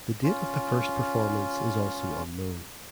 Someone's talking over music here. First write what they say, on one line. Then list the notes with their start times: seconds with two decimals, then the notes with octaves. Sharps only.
The date of the first performance is also unknown.
0.24 C#4 F4